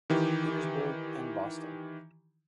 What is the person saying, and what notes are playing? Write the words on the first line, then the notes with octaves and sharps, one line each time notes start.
Petersburg and Boston.
D#3 E3 G4